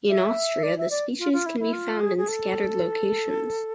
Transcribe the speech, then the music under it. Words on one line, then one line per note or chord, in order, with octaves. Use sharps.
In Austria, the species can be found in scattered locations.
E5
D5
E5
D5
F4
F4
E4
E4
F4
G#4
G#4
A4